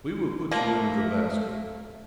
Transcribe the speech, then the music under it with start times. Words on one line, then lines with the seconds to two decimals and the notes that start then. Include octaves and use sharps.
We will put you into the basket!
0.52 F3 A3 A#3